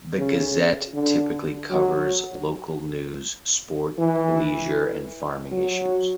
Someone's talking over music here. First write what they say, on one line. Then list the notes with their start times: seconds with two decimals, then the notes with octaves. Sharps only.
The "Gazette" typically covers local news, sport, leisure and farming issues.
0.17 C#3
0.94 D3
1.70 F#3
3.99 E3
5.52 F#3